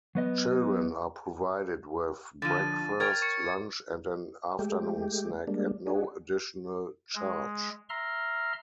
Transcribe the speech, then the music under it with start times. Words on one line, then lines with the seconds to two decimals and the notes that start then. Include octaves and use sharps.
Children are provided with breakfast, lunch and an afternoon snack at no additional charge.
0.15 F#3 B3 D#5
2.42 D3 F3 A6 D#7
3.00 A#4 C#5 G5 G#6 A6
3.22 C#6 C#7
4.59 G#3 A3 G4
5.47 G3 G#3 A#3 D4
5.87 D4 F#4 G#4
7.15 G#3
7.90 E5 A#5 C6 F6